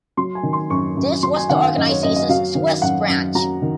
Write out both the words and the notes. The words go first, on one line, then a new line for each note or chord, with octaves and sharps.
This was the organization's Swiss branch.
F#3 C6
G#5
D#3
C6
F#2 C#6
F#2
F#3 C6
G#5
D#3 F#5
F5
F#2 D#5
C#5
F#2 D#5
D#5
F#3 F5
D#3
F#2 F#5
F#2
F#3 A#5
D#3